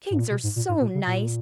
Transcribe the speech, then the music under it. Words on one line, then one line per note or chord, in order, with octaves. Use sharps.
"Pigs are so nice!"
G#2
A#2
B2
G#2
A#2
G#2
A#2
C#3
A#2